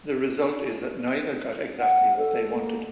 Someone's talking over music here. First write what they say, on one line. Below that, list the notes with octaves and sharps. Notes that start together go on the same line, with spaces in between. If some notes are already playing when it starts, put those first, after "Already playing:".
The result is that neither got exactly what they wanted.
F#5
A4
A#3